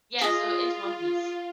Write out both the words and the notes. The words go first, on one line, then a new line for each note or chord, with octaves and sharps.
Yeah, so, it's One Piece.
F4 G#4 D#5